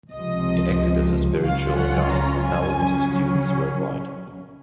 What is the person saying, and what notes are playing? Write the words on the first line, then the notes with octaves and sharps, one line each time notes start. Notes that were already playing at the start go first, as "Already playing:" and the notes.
He acted as a spiritual guide for thousands of students worldwide.
C#2 C3 F3 D#5
C#2 C#3 F#3 C#4 F4 F5
F#5
A#5
G#5
C#3 F#3 C#4